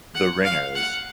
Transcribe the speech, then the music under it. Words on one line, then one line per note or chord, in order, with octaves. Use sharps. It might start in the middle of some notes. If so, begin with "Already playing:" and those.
The ringers.
F#5
F5
F#5